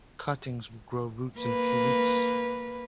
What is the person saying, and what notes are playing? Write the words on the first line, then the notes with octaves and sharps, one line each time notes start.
Cuttings will grow roots in a few weeks.
A#3 B4